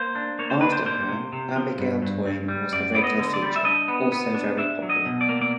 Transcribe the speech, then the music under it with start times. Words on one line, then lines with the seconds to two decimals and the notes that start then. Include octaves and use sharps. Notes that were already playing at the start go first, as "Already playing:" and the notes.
After her Abigail Toyne was the regular feature, also very popular.
Already playing: A#3 C5
0.15 D4
0.39 A#3 C#5
0.50 C5
0.61 D4 B4
0.72 C5
0.86 A#3 C5
1.09 C3
1.33 C3
1.56 F3
1.78 G2
2.02 G2
2.26 G2
2.48 G3
2.72 F#2 D5
2.95 B3 D5
3.04 D#5
3.18 D3
3.34 D5
3.42 G3
3.56 E5
3.65 D4 D#5
3.88 B3
4.12 B3
4.35 D4
4.58 D4 E5
4.82 F#3
4.90 D#5
5.06 B2
5.21 D5
5.29 A#3
5.41 D5